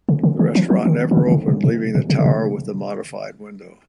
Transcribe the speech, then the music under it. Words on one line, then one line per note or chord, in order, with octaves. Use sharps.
The restaurant never opened, leaving the tower with the modified window.
C#3
D3
D#3
F3
F3
D#3
D#3
D3
D3
C#3
C3
B2
B2
C3
C#3
C3